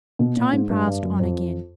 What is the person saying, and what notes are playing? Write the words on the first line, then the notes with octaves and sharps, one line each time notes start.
Time passed on again.
B2
A#2
G#2
G2
G2
F#2
F2